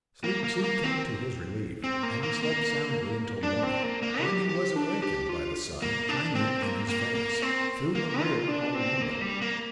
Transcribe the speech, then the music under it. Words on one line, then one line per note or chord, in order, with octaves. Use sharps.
Sleep soon came to his relief, and he slept soundly until morning, when he was awakened by the sun shining in his face, through a rear hall window.
A#3
A#3
A#3
C4
C4
A#3
A#3
A#3
D4
C4
A#3
A#3
G4
G4
D4
G4
F4
A#3
D4
C4
A#3
A#3
A#3
C4
A#3
F4
D4
C4
A#3
G3
A#3